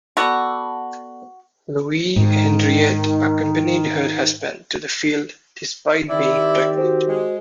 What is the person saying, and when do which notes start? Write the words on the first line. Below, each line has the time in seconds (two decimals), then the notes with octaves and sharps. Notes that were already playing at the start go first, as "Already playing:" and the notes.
Louise Henriette accompanied her husband to the field despite being pregnant.
0.17 B3 F#4 A4 D5
2.16 G#2 D#3
6.09 D#3 C4 E4 G4 D5
6.77 F#4 G#4 C5
7.08 G#3